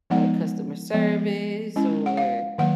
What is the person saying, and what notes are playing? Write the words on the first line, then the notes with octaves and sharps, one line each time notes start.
like customer service or,
F3 G#3 B3 D#4 F#5
F3 G#3 B3
G#3 C#4 E4
F#5
F5
D#3 F#3 A#3 F#5